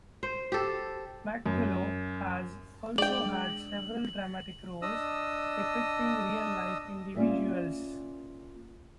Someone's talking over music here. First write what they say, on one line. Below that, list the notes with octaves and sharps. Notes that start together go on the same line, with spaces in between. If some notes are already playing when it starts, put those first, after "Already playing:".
McCullough has also had several dramatic roles depicting real-life individuals.
C5
G4 A4
F#2
G#3 D4 D5 G5 F#7
D4 D#5 D#6 E6
A#3 C#4 F4 G#4 D5 E5